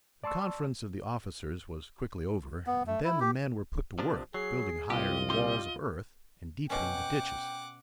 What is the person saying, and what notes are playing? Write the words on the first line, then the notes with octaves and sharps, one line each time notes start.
The conference of the officers was quickly over, and then the men were put to work building higher the walls of earth and deepening the ditches.
D5 A5 C6 C#6 E6
B3
A3
E4
G4
C3 F3 D4
F#3 G#4 C7
C2 F4 G4 D#5
G3 G4 C6
B2 C#4 F#5 G5 D6